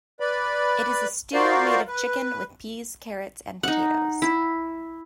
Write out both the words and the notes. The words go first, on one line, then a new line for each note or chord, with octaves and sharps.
It is a stew made of chicken with peas, carrots, and potatoes.
B4 D5 B5
F4 F#4 A#4 C5 D5 F5
B4
D#4 F#5
E4